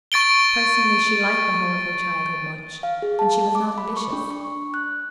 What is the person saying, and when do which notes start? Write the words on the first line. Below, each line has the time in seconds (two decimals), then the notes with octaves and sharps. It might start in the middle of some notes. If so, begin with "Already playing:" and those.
Personally she liked the home of her childhood much, and she was not ambitious.
0.12 C#6 A6 D7 G7
2.83 F5
3.02 G#4
3.19 A5
3.55 D6
3.78 B5
3.97 C#6
4.13 D4
4.31 C#6
4.74 F#6